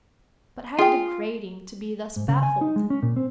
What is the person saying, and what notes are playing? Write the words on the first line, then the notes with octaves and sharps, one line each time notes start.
But how degrading to be thus baffled!
F4 G#4 G5
G#2
C#3
G#5
D#4
G#3
C#4
A#2
C4